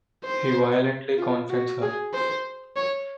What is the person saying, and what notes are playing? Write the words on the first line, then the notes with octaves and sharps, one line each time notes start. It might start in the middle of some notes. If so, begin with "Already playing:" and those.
He violently confronts her.
C5
F4
F#4
G#4
C5
C#5